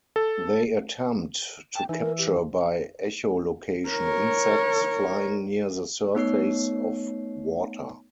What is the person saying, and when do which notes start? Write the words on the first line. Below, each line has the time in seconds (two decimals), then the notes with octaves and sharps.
They attempt to capture by echolocation insects flying near the surface of water.
0.16 A4
1.75 G5 A5
1.89 E3 D#4
2.01 A#4
2.18 G4
3.89 A#4 C#5
6.15 A3 B3 D#4 C#5 C7